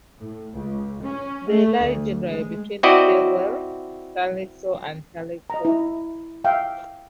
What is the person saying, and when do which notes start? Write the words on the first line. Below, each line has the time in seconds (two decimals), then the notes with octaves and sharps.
They lie generally between Stilwell, Sallisaw and Tahlequah.
0.19 A2
0.52 C#2
1.02 C#4
1.48 A3
1.78 D2
2.26 G#3
2.83 C4 E4 F#4 D5 D#5
5.50 D#5 A#5
5.65 E4
6.44 E5 F5 G5